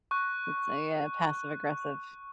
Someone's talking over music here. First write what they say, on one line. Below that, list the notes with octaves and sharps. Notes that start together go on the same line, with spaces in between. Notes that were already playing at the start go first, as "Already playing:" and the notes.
It's a, uh, passive aggressive
C#6 F#6